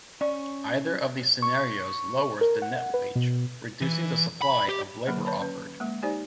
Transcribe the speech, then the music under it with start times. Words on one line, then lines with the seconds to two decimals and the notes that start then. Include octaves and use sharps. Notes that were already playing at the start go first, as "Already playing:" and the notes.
Either of these scenarios lowers the net wage, reducing the supply of labor offered.
0.21 C#4 D5 C#6
1.42 C#6
2.41 A#4
2.62 F#5
2.94 B4
3.15 B2
3.81 E3
4.42 B5
4.69 G4
5.07 D3 D#3 F#3 A#3
5.25 B4 C#5 A5 B5
5.39 C#4 B4
5.80 G#3 A#3
6.03 D#4 G4 C5 D5 G#5